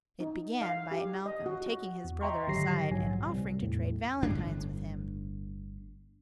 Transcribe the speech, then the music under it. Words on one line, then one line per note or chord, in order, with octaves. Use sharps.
It began by Malcolm taking his brother aside and offering to trade valentines with him.
D#4
F5
G4
D#5
F#4
F#4
E2
D#5 E5 G5 A#5 C6 C#6
G#1 D3 F#3 G4 A#6 C7
A#1 G#2 F#3 G#5
C2 C3
E2 A2
G1 A2 D4